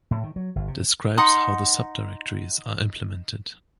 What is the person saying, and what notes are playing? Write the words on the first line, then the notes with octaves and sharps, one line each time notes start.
Describes how the subdirectories are implemented.
A2
D#3
F#3
G1
C3
D#4 F#5 C6 D#6